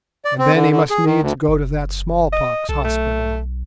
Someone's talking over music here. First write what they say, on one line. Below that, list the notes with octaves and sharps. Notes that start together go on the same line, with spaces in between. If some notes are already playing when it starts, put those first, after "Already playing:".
And then he must needs go to that smallpox hospital.
D5
C4
D3
D3
G#4
D#3
D2
F#1
D#5
B1 A4
A3